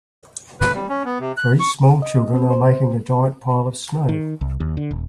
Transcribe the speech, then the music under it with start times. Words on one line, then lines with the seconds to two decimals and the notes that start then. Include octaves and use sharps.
Three small children are making a giant pile of snow.
0.60 B4
0.73 G3
0.89 C#4
1.05 B3
1.20 C3
1.37 F#6
1.60 C#6
2.02 D#5
2.34 C4
2.50 C5
4.09 D#3
4.41 C2
4.60 D#2
4.77 D3
4.91 D#1